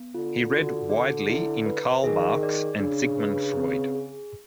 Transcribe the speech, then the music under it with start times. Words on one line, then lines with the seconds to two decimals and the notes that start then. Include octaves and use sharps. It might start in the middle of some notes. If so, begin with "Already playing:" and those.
He read widely in Karl Marx and Sigmund Freud.
Already playing: B3
0.14 D3 F4
0.52 D3 F#4
0.90 D5
1.28 E4
1.66 B4
2.04 D#3 G#4
2.43 D5
2.80 C#3 D4
3.19 B4
3.57 C4
3.95 G#4